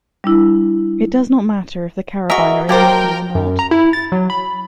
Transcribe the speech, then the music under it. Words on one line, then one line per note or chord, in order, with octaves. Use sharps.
It does not matter if the carabiner is locking or not.
G3 D4 E4
F#4 G#4 A#4 D#5 E5
F#3 A#3 G4 A#4 C5 G5 A5
F#2
A#5
E4
A6
F#3
B5